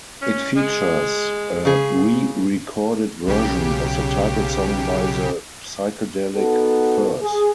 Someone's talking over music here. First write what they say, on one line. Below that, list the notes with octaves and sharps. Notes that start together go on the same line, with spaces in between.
It features a re-recorded version of the title song by The Psychedelic Furs.
C#4
G#3
C#3 G#4
B1 C#3 G4
B3 D#4 F#4 A4
G#4